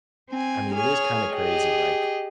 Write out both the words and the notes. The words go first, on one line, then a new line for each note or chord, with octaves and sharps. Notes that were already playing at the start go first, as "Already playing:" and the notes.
I mean, it is kinda crazy, like,
C4 G#5
G#4 C#5 G#5 F6
G4 G#4 D#5